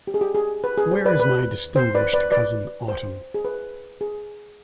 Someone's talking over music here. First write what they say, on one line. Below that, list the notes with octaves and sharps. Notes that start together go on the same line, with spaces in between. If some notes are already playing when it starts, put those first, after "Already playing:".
Where is my distinguished cousin Autumn?
G4
G#4
G4
G#4
B4
G#4
C5
B4 D5
B4
C5
B4 D5
B4 D5
B4 D5
C5
G#4
B4
G#4